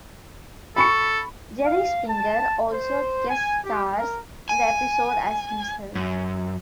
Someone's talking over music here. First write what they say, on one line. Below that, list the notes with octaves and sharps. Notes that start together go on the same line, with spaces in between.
Jerry Springer also guest stars in the episode as himself.
A4 B5 C#6 C#7
F5
A5
C5
G#5
G4
A#4
G#5
F#2